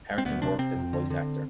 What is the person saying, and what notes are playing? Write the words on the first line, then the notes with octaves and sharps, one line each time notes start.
Harrington worked as a voice actor.
C4
D2 B3
C3 D4
C3 C4
F2
D3
D3